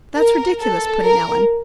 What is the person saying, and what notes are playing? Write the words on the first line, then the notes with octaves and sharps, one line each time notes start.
"That's ridiculous!" put in Ellen.
A#4
A4
A#4